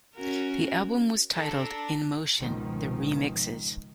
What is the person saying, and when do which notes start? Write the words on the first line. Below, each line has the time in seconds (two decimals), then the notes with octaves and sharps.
The album was titled "In Motion: The Remixes".
0.15 C#4 F#4 A#4
1.36 D4 A4 A5 A#5
2.39 G#1 C#2 B2 D#3 F3